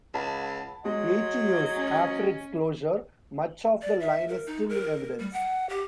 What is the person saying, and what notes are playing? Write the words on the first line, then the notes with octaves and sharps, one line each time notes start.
Eighty years after its closure, much of the line is still in evidence.
C#2 F#5 A5 B5
F#3 G#3 D#5
C#4
D5
E5
A#4
D#4
A#4
G3
F#5
G4